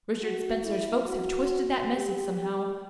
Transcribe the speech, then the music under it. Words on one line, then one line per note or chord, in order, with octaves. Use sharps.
Richard Spencer's folks have twisted that message somehow.
F#4
E4
F#4
G4
G4